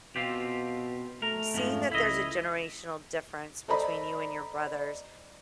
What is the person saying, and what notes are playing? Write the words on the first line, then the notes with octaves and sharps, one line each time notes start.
seeing that there's a generational difference between you and your brothers,
B2 C4 F4 G4
A3 A#4
F2 G#2 F3
C#2 E4 D#5
A4 C5 D5 D#5 A#5 B5